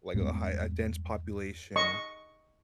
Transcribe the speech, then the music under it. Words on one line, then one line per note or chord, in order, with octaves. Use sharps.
like, a high a dense population,
E2 G2 G#3 B3
D#5 C#6